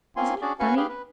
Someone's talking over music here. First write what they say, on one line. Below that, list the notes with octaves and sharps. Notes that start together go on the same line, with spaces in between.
Isn't it funny?
A#3 C4 C#4 F4 G#5 C6
C#4 D4 F#4 G#4 D5
C#4 F#4 B4 F5 G#5 C#6
G4 G#4 B4 F5
B4